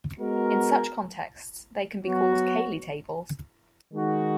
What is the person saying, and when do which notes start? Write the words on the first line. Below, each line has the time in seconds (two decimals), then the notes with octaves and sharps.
In such contexts they can be called Cayley tables.
0.18 G#3 B3 F#4 A#4
2.05 F#3 B3 F#4
3.92 D#3 G#3 D#4 F#4